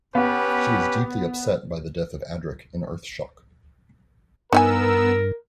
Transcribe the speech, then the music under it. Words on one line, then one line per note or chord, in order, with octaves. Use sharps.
She is deeply upset by the death of Adric in "Earthshock".
B3 C#4 G4 B4
G2 B3 D#4 A#4 E5 G#5 E6